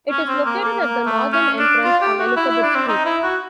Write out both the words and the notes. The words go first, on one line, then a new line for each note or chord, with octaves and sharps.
It is located at the northern entrance on Elizabeth Street.
C#4
C4
A#3
A#3
A#3
A3
C#4
D4
F4
G4
F#4
E4
E4
D4
C4
D#4
E4
F#4